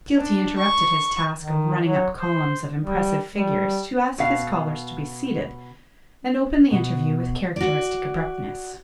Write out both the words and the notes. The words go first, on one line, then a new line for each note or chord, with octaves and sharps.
Skeelty interrupted his task of running up columns of impressive figures to ask his callers to be seated, and opened the interview with characteristic abruptness.
D4
C#6
D#3
F#3
C5
G3
G3
B2 F5
B2
F#4 D5